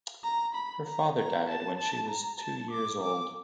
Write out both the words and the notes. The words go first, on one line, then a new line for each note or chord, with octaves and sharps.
Her father died when she was two years old.
A#5
B5
A#5
A#5
A5
A5
A#5
A5
D6
D6